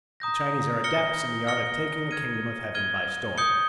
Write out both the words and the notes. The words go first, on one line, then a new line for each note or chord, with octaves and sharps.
The Chinese are adepts in the art of taking the kingdom of heaven by storm.
A#5 D#6 G6 A#6
F6 A#6 C#7 G7
F6 A#6 C#7 G7
F6 G#6 D#7 G7
F6 G#6 D#7 G7
D#6 G6 C#7 G7